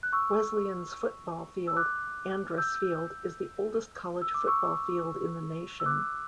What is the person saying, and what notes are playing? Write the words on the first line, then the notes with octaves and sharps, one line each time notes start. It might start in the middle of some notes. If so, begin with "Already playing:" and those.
Wesleyan's football field, Andrus Field, is the oldest college football field in the nation.
F#6
C#6 E6
E6
D6 F#6
E6 G6
E6
D6
C#6 E6
E6
D6 F#6